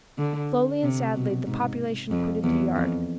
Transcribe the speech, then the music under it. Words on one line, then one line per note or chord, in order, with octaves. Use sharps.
Slowly and sadly the population quitted the yard.
D3
C3
B2
G#2
F2
E2
F2